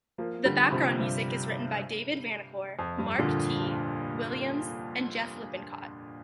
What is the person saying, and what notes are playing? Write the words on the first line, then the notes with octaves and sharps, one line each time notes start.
The background music is written by David Vanacore, Mark T, Williams, and Jeff Lippencott.
F3 A#3
D3 G3
C3 F3
G2 C3
F2
G2
A#2 D3